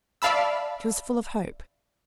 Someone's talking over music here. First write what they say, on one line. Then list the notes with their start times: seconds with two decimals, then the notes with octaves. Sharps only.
She was full of hope.
0.22 D5 E5 F5 A5 B5 E6